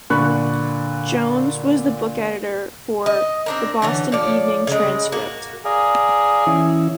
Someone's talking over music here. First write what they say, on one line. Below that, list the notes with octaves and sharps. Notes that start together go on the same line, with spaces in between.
Jones was the book editor for "The Boston Evening Transcript".
A#2 D3 B5 C#6 F#6
D#5
C4 D4 A#4
D3 E3 C#4
F3 C#5 D5
C#3 G#3
A#3 F#4
G#4 D5 F5 A#5
E3 C#4 E4